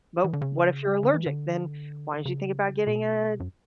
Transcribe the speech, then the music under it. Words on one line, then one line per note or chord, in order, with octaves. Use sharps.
but what if you're allergic, then why don't you think about getting a
E3
D3
C#3
D3
E3
D3
C#3
B2
F#2